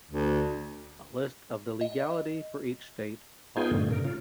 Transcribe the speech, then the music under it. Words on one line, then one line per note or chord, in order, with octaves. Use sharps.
A list of the legality for each state follows.
D2
D#5
B3 D#4 F4 G#4 G5 G#5
G2 A#2 D3 A3
C#3 A#4
C#4 F4